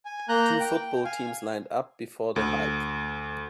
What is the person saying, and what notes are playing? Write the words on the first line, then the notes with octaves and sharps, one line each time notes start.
Two football teams lined up before the hike.
G#5
A#3 A#5 F#6 G6
G5
F5 G#5
D2